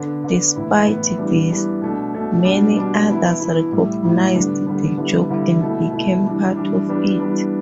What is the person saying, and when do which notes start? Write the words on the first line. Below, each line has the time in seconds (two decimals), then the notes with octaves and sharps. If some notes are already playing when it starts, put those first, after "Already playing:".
Despite this, many others recognised the joke and became part of it.
Already playing: D3 B3 D4
0.24 D3 B3 D4
0.56 A2 E3 B3 E4
0.87 A2 E3 B3 E4
1.18 E3 G3 B3 D4
1.50 E3 G3 B3 D4
1.82 B2 A3 D4
2.14 B2 A3 D4
2.45 B2 G3 D4
2.76 B2 G3 D4
3.08 E3 B3 E4
3.40 E3 B3 E4
3.72 A2 G3 E4
4.03 A2 G3 E4
4.34 D3 G3 B3 D4
4.67 D3 G3 B3 D4
4.98 D3 G3 B3 E4
5.29 D3 G3 B3 E4
5.61 B2 A3 E4
5.92 B2 A3 E4
6.24 E3 G3 D4
6.56 E3 G3 D4
6.88 E3 G3 B3 D4
7.19 E3 G3 B3 D4